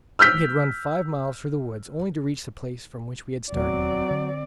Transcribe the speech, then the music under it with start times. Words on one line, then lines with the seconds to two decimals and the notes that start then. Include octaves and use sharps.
We had run five miles through the woods, only to reach the place from which we had started.
0.19 E6 F6 G6 B6
3.52 E1 D#2 F#3 B3 C4 D5
4.11 D3